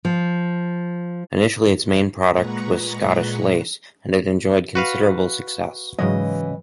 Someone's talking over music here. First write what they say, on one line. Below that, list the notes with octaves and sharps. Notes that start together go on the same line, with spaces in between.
Initially its main product was Scottish lace and it enjoyed considerable success.
F3
A#2 G#3 B4 F#5 A#5 C#6
F#4 B4 F5
G#2 C#3 E3 F#3 G#3 D#5